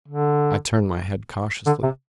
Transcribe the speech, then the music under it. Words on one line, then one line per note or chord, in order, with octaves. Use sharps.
I turned my head cautiously.
D3
D3
C3